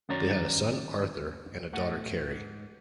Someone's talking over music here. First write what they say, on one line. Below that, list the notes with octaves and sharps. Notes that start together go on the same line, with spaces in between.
They had a son Arthur and a daughter Kerry.
F#2 D#3 C#5 D5 A#5
A2 A3 F#5
G#2